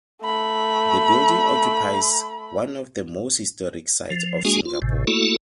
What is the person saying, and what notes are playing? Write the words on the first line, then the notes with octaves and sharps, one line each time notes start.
The building occupies one of the most historic sites of Singapore.
A3 B5
F3
G#3 A#3 D4 F#4 G#4 G#5
F4
G#1 A2 C3
A3 A#3 E4 F#4 A4